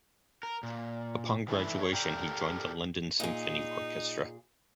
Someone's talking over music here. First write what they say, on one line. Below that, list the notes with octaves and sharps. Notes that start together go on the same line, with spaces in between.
Upon graduation he joined the London Symphony Orchestra.
A#4
A#2
D#3 E3 A3 D4 E4
C#5
G4 A4 A#4 D5 G5
A#2 D#4 G#4